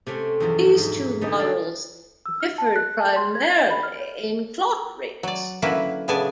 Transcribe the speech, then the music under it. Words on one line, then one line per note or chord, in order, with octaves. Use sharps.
These two models differed primarily in clock rates.
C3 A3 C4 C#4
E2 G2 B2 F3 F#3
G#2
D3 G3 B3 D#4
D5 F5 A5
E6
F6
A5
F#6
A5
C6
G#6
D#5
B5
F6
C#5
F#3 D5
D3 F#3 A#3 C#4 E4 B4
A2 C#3 B3 D4 G#5 A5